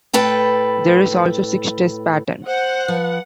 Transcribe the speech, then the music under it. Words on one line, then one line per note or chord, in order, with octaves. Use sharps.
There is also six-stress pattern.
A2 A4 B4 G5
C5 F#5
F3 B4